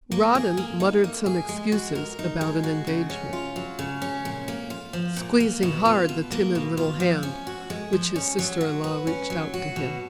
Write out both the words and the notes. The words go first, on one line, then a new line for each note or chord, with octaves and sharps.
Rawdon muttered some excuses about an engagement, squeezing hard the timid little hand which his sister-in-law reached out to him.
A#3
G#4
A#3
D#4
A#3
G#4
G#3
F#4
A#4
D#4
G#3
F#4
C#3
C#4
F4
F#3
C#3
C#4
A#2
A#3
F4
F3
A#2
A#3
B2
F4
B2
A#3
B2
F4
F3
C#4
F#4
G#3
F3
C#4
F#3
F#4
B4
C#4
F#3
F#4
B2